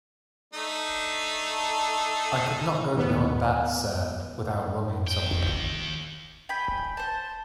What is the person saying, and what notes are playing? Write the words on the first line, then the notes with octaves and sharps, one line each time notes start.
I could not go beyond that, sir, without wronging some one.
A3 D4 D#4
D#2 B3
D#2 G5
G5 G#5 B5
C5 A5